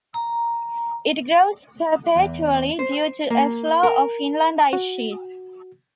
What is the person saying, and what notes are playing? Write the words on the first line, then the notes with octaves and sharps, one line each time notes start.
It grows perpetually due to a flow of inland ice sheets.
A#5
E2
C5
A#3
A#4
F#4